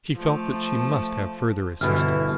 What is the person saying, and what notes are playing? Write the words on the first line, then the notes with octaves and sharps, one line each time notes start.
She felt that she must have further assistance.
F3 A3
G1 B2 E3 E4 F6